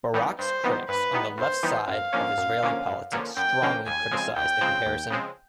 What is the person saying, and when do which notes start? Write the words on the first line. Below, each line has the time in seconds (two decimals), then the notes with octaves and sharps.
Barak's critics on the left side of Israeli politics strongly criticised the comparison.
0.14 E3 G3 B3 D#4
0.39 G2 C5
0.64 E3 G3 B3 D#4
0.88 G2 B4
1.13 E3 G3 B3 D#4
1.38 G2 C5
1.63 E3 G3 B3 D#4
1.87 F#2 F5
2.13 D3 F3 A#3 C#4
2.37 F#2
2.62 D3 F3 A#3 C#4
2.87 F#2
3.12 D3 F3 A#3 C#4
3.36 F#2 G5
3.62 D3 F3 A#3 C#4
3.86 D#2 G#5
4.11 C#3 F3 G#3 C4
4.36 D#2 G5
4.61 C#3 F3 G#3 C4
4.86 D#2
5.10 C#3 F3 G#3 C4